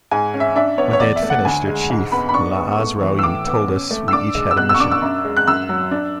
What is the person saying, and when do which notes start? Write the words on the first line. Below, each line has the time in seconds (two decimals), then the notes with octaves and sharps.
When they had finished, their chief Laazraoui told us we each had a mission.
0.11 G#2 G#5
0.34 C#4
0.40 E5
0.56 D4 E5
0.78 B3 C#5
0.93 C#5
1.00 E2 D5
1.16 E5
1.22 A3
1.30 F#5
1.45 D2 G#5
1.67 G#3
1.90 G#2
2.12 B3 B5
2.29 B5
2.34 D4 C#6
2.57 B3
2.79 A3
3.01 E3
3.19 E6
3.23 A2 D6
3.47 B3
3.68 C#4
3.91 A3
4.08 E6
4.13 D4 D6
4.35 G#3
4.51 E6
4.57 B2 F#6
4.69 E6
4.74 C#6
4.80 D4 D6
4.91 E6
5.02 F#2
5.24 G#3
5.37 F#6
5.47 F#2 E6
5.69 F#3
5.91 D4